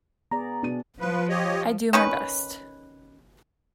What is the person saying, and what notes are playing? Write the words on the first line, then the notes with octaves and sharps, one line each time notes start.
I do my best.
B3 G#4 D5 A#5
B2 D4 F#4 D#7
F3 B4
G4 C#5 D#5
D#3 C#4 B4